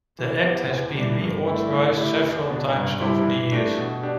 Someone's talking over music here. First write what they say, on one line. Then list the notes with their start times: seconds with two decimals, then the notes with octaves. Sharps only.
The act has been reauthorized several times over the years.
0.19 E3
0.43 B3 G4
0.70 E2
0.95 E3 G3 D4 G4
1.21 G2
1.47 D3 A3 E4
1.72 A2
1.97 A3 E4 G4
2.23 E2
2.50 B2 B3 D4
2.74 G2
3.01 G3 E4 G4
3.26 E3
3.52 A3 D4 G4
3.77 B2
4.03 D4 G4